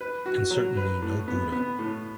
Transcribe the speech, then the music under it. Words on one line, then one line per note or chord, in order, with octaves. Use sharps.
And certainly no Buddha.
B4
F#4
F#3
B4
A2
B3
B3
A2